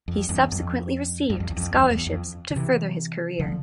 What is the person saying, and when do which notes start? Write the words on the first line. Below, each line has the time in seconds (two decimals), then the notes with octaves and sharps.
He subsequently received scholarships to further his career.
0.08 F2
0.29 E2 G2
0.52 F2
1.30 G2
1.40 F2
1.50 E2
1.57 F2
1.74 E2 G2
1.90 E2
2.07 F2
2.50 D3
2.56 C3 E3
3.39 D3 F3